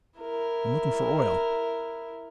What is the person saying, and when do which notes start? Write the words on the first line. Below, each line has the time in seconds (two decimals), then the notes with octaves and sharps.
I'm looking for oil.
0.20 E4 A#4